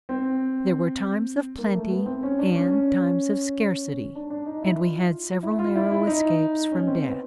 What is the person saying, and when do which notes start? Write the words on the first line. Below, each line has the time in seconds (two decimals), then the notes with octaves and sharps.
There were times of plenty and times of scarcity, and we had several narrow escapes from death.
0.09 C4
1.58 A#3
1.75 A3
1.90 B3
2.06 C4
2.23 C#4
2.39 D4
2.55 C#4
2.71 C#4
4.15 D4
4.30 D4
4.46 D#4
4.63 E4
4.79 F4
5.43 E4
5.59 F4
5.76 E4
5.91 E4
6.07 D#4
6.72 C#4
6.87 C4
7.03 B3